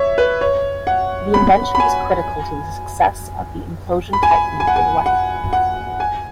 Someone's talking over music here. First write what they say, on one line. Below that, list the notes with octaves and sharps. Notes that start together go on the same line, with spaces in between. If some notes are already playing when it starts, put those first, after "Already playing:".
The invention was critical to the success of the implosion-type nuclear weapon.
Already playing: C#5 E5
B4
C#5
F#5
B5
B5
G#5
B5
G#5
B5
G#5
F#5
G#5
F#5
F#5
G#5